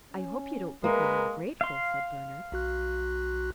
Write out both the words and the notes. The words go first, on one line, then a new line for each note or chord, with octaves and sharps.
"I hope you don't think me ungrateful," said Bernard.
C#4
G#3 A#3 A#4 B4
F5 C6
B1 F#4 F#6